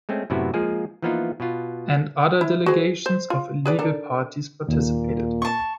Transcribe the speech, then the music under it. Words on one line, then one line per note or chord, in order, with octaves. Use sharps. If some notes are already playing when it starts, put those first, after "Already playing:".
And other delegations of illegal parties participated.
G#3 A3 C4 C#4
F#2 A2 C3 B3 E4 F#4
F3 G#3 A#3 F4 G#4
E3 F3 A#3 B3 D#4 F4
B2 B3 F4
E4
F#4 G#4 C5
C5
F4
G#4 B4 D5
D4 A4 A#4
D#2 A#2
A5 C#6